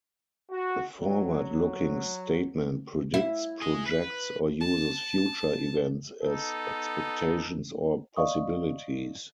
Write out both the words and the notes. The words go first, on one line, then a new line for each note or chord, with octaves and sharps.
A forward-looking statement predicts, projects, or uses future events as expectations or possibilities.
F#4
F#3
E4
G#4 D#5
B4
A5
B3 D#4 A4
D5 D#5 F5 C#6 D#6